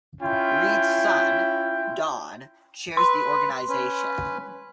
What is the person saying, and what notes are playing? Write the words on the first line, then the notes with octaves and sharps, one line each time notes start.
Reed's son, Don, chairs the organization.
C#4 E4 F4 G5
B4 C6
C#4 B4